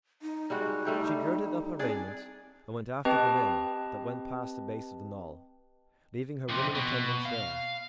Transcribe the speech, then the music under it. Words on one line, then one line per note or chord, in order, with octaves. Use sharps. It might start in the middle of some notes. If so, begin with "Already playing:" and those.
She girded up her raiment and went after the men that went past the base of the knoll, leaving her women attendants there.
D#4
G3 G#3 F#4
G3 A3 G4
C4 D4 G#4 D5
C4 G4 B4 D#5 G5 A5
F2 C3
B2
F5